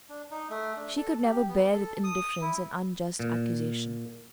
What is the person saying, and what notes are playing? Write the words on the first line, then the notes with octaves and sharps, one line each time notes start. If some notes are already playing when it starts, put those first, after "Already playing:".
"She could never bear with indifference an unjust accusation."
D4
D#4
A3
D4
A4
G4
B3
A4
D#6
E4
A#2